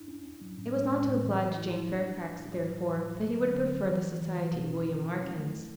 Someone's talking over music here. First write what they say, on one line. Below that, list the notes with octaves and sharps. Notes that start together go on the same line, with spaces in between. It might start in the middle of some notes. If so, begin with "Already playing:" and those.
It was not to oblige Jane Fairfax therefore that he would have preferred the society of William Larkins.
Already playing: D4 E4
C#4
C#4
F#3
A2
G#3
A2
A2
E3
E3
E4
E4
D4
D4
G#3
A2
F#3
F#3
A2
F#3
F#3
D3
D3
F#3
E3
E3
E3
E3
B2
C#4
C#4
E4
F#3
A3
A3